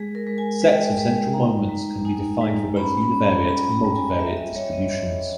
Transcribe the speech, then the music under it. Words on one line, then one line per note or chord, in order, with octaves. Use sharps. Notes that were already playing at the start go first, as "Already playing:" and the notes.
Sets of central moments can be defined for both univariate and multivariate distributions.
Already playing: G#3 G#4
A#4
G#3
G#5
G#3 G5
G#3
D#4 A#5
G#3
D#4 G#5
G#3 A#5
C#4 B5
B5
C#4
A#5
G3 B5
A#5
G3
G#5
G3 E5
D#5
G3 C#5
D#5
G3